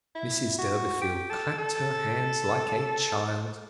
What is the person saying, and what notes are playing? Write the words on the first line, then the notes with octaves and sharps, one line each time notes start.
Mrs Durbeyfield clapped her hands like a child.
E4
F#4
G4
A4
A4